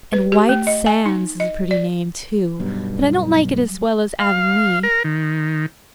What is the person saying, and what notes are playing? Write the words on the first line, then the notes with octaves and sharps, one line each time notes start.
And White Sands is a pretty name, too; but I don't like it as well as Avonlea.
B4
G4
A3
D#5
G#5
D#4
D#5
D5
B1 G2 B2 F#3 G3
F5
A#4
D#3